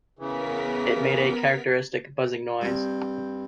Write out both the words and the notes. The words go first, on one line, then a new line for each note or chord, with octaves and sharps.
It made a characteristic buzzing noise.
C#3 E3 B3 A#4 B6
G2 C4